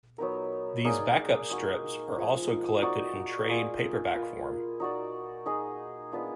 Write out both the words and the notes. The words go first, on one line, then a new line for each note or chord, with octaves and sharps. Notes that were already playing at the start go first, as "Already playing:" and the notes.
These back-up strips are also collected in trade paperback form.
F#3 B3 D#4 A#4
A#3 D#4 G#4 D5
G#3 D#4 F#4
F3 G#3 D#4
D#4 F#4 D5
A#3 F4 G#4 D5
A#3 F4 B4 D#5
D#4 F#4 D5
D#4 G#4 D#5
G#3 B3 D4 F4